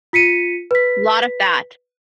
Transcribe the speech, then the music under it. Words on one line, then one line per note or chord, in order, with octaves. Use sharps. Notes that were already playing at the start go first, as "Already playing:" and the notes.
Lot of that.
F4 B6 C#7 D#7
B4 B6